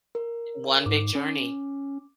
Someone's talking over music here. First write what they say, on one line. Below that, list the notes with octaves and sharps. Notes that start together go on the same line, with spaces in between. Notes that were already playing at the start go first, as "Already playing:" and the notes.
One big journey,
A#4
G#2 D6
C#4